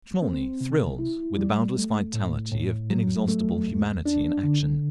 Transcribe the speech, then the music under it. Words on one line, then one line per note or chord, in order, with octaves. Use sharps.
Smolny thrilled with the boundless vitality of inexhaustible humanity in action.
C4
C3
E4
G3
A3
A2
A2
F#3
A3
E2
D4
D3